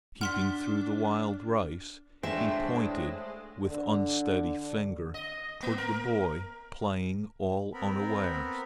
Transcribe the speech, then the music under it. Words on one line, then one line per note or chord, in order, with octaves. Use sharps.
Peeping through the wild rice, he pointed with unsteady finger toward the boy playing all unawares.
D4 F#5 C6 F6 B6
A2 G#3 A3 D4 C5 E5 G5
D3
D#5
A#3
A#4
B3 C4 A#4 B5